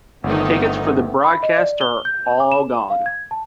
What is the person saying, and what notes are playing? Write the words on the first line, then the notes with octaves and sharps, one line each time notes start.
Tickets for the broadcast are all gone.
G1 D3 D#3 A3 B3 C4 D#4
B5
D#5
D5
G7
G6
D6
E7
F5
G#6
A5